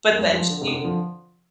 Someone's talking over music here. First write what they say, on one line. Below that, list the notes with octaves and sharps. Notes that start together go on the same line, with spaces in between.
but then she
A#3
G#3
G3
F3
D3
C3
D3
F3